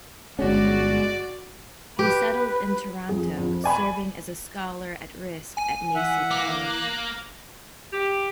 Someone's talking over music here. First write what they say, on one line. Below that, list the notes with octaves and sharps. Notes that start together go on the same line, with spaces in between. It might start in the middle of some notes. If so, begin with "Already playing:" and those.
He settled in Toronto, serving as a Scholar at Risk at Massey College.
G1 G#3 C#4 F#4 D5
G4 B4
F2 G#4
F2
D5 G#5 B5
G#5
E3 E5 F#5
A#3 D6
F#6
G4